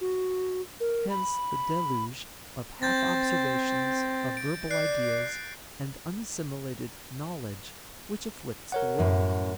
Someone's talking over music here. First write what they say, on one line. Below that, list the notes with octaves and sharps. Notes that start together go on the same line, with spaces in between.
Hence the deluge of half-observations, of verbal ideas, and unassimilated "knowledge" which afflicts the world.
F#4
A#4
B5
C4 G6 A6 A#6
D7
D5 F#6 C7
A#4 C#5 F#5
F#2 A2